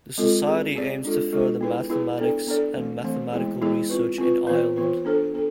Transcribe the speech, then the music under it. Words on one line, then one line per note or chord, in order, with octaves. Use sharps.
The society aims to further Mathematics and Mathematical research in Ireland.
G#3 C4 F4 A4
C4 G#4 D5
C4 G#4 D5
G#3 D4 F4 A4
G#3 D4 F4 A4
B3 E4 G#4 B4
B3 E4 G#4 B4
B3 D4 A4 D5
B3 D4 A4 D5
E3 A3 C4
E3 A3 C4
E3 G#3 B3 E4 G#4
E3 G#3 B3 E4 G#4
C4 F4 B4
C4 F4 B4
E3 B3 F4 B4
E3 B3 F4 B4
B3 D4 A4 C5
B3 D4 A4